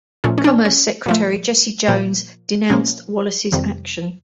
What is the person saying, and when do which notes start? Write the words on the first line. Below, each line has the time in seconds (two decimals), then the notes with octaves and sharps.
Commerce Secretary Jesse Jones denounced Wallace's action.
0.24 A#2 F3 A3 C#4
0.38 C#4
0.44 D4
0.65 C#4
1.06 A#2 F3 A3
1.88 A#2 F3 A#3
2.70 A#2 F3 A#3 C#4
3.52 F2 C3 D#3 G3